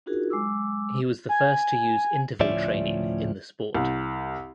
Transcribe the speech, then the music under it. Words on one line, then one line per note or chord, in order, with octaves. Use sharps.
He was the first to use interval training in the sport.
D4 D#4 F4 F#4 G#4 A#4
F#3 G#3 D6 E6
G#5
D2 A2 F3 C#4 D5 E5
C2